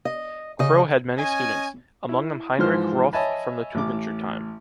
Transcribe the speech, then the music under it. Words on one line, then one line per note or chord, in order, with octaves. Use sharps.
Kroh had many students, among them Heinrich Roth from the Tübinger time.
D#5
C#3 D#5
C#4 D#5 G#5
E4
G#2 E3 F3 C5 F6
C#5 D#5 E5 G#5 A5 B5
A1 D6